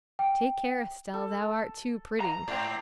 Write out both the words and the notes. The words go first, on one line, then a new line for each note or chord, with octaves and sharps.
Take care, Estelle, thou art too pretty!
G5
A4
A#5
G#2 C4 D5 G5